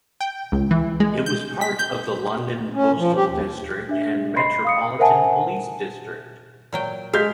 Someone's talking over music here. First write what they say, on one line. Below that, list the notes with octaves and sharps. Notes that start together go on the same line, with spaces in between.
It was part of the London postal district and Metropolitan Police District.
G5
C#2
E3
G#3
G6
B6
G6
C#4
F3
G4
D#2
D4 E5
D#5 B5 C6 C7
F5 D#6 C#7
A#4 C5 E5 F#5 G#5 A5
A#2 F#3 G5
G#3 F5 G6 B6